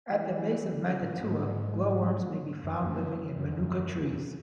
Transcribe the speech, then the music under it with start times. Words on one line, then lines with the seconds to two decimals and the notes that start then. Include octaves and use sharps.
At the base of Maungatua glowworms may be found living in manuka trees.
0.11 E3
0.84 D3
1.02 A2
1.20 G#2
2.64 F#2
2.82 F#2
3.36 F#2
3.48 E2
3.59 F#2
3.99 E2
4.08 F#2